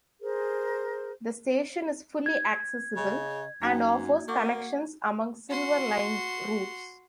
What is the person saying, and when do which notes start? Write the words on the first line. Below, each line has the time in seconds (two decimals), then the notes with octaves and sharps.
The station is fully accessible and offers connections among Silver Line routes.
0.21 G#4 A#4 C5
2.26 G#6
2.97 C#3 D#5
3.62 F#2 A#3 D#4 F#4 G5
4.28 A#3 F#5 C#6 D6
5.50 F#4 C6